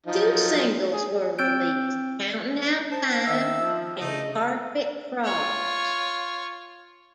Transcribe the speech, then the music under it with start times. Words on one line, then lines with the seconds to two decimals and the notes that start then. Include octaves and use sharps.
Two singles were released, "Counting Out Time" and "The Carpet Crawlers".
0.06 F3 F#3 D#4
0.92 G#4
1.39 C4 E6 G6 D7
2.91 C5 A5
3.26 D#3 E5 E6
3.64 F3
4.00 C#3 A3 D#4 D#5
5.24 F4 C#5